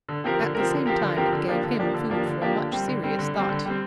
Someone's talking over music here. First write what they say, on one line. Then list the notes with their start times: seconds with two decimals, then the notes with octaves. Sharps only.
At the same time it gave him food for much serious thought.
0.09 D3
0.24 F3 C4 G4 A#4
0.40 D3
0.55 F3 C4 G4 A#4
0.71 D3
0.86 F3 C4 G4 A#4
1.02 D3
1.17 F3 C4 G4 A#4
1.32 D3
1.48 F3 A#3 D4 G4
1.64 D3
1.79 F3 A#3 D4 G4
1.94 D3
2.10 F3 A#3 D4 G4
2.26 D3
2.41 F3 A#3 D4 G4
2.56 D3
2.72 G3 C4
2.88 D3
3.03 G3 C4
3.19 D3
3.34 G3 C4
3.50 D3
3.65 G3 C4